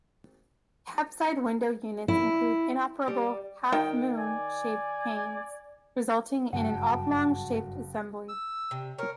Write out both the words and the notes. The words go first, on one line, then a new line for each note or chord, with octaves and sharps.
Cab side window units include inoperable "half moon"-shaped panes, resulting in an oblong-shaped assembly.
E4
G3
D#3 G5
D5 G#5
F#1 G2 F#4 F#5 G5 A5
E6
C3
A#4 C#5